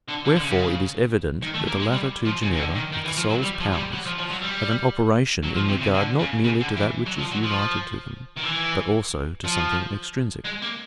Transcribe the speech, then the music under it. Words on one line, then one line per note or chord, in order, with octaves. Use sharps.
Wherefore it is evident that the latter two genera of the soul's powers have an operation in regard not merely to that which is united to them, but also to something extrinsic.
D3
D3
D3
C#3
D#3
A3
A#3
G#3
G3
F3
C#3
D#3
D3
D#3
D#3
E3
F3
F#3
G3
F3
G#3
G3
F#3
F3
F3
F#3
G3
F#3
F3
C3
C#3
D3
C#3
C#3
D3
E3
F#3
F3
F#3
F3
D#3
E3
F3
G#3
A#3